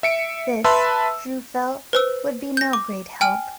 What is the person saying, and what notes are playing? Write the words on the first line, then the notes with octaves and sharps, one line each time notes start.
This, Drew felt, would be no great help.
E5 C#7 D7
B4 E5 A5 B5 C6 E6
B4 C5 E6
G6 A#6
D6
G5 G#5 F6